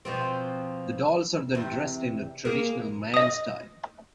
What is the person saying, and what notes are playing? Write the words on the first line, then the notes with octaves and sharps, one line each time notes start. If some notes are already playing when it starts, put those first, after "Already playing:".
The dolls are then dressed in traditional Mayan style.
B2 F3 C4
E2 C3
A#3 G#4
D#5 D#6